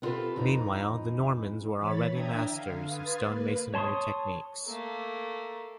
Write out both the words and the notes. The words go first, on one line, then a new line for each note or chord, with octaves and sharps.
Meanwhile, the Normans were already masters of stonemasonry techniques.
B3 C4 F4 G4 A4 B4
F2 E3 D#4
E3 C#5 B5 A6
D4 E5 G5 A#5 D#6 G#6
D3 F5
B4 F5 C6 D#6 G#6 A6
A#3 B4
C#5 A5 C6 C#6 D#6
A3 A#3